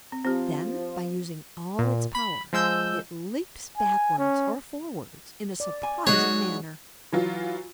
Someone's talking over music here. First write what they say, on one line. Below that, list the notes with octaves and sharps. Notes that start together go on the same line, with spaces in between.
Then, by using all its power, it leaps backwards or forwards in a surprising manner.
C4
F3 C4 G4
A#2
B5
F3 G#3 E6 G6
G#5
C#4
D5
G#5
F#3 G#3 D#4 F#4 C#5
E3 F#3 F4